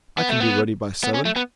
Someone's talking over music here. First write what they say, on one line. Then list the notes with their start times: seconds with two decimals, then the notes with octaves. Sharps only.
I can be ready by seven.
0.18 B3
0.29 A3
0.40 B3
1.04 B3
1.14 C#4
1.25 A3
1.36 B3